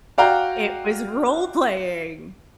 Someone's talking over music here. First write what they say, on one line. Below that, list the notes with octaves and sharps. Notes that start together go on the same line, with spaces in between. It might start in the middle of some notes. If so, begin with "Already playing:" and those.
It was role playing.
F#4 D5 F5 G5 A#5